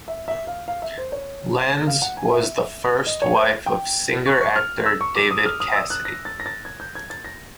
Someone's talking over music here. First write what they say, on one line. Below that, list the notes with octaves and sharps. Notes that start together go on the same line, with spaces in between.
Lenz was the first wife of singer-actor David Cassidy.
E5
E5
F5
F5
E5
C5
C#5
F5
F#5
G#5
E5
D#5
C#5
C5
G5
C#6
C#6
F6
E6
C#6
D6
D#6
F6
D#6
E6
F#6
A#6
A6
A#6
A6
G#6
G6
G#6
A6
A#6